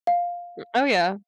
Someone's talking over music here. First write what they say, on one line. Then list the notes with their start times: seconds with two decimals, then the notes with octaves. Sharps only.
M oh, yeah.
0.07 F5